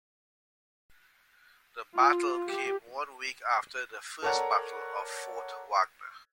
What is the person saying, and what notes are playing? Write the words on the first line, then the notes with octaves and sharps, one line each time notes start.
The battle came one week after the First Battle of Fort Wagner.
F4
G4
A4 A#4 C#5 D5 F#5 A#5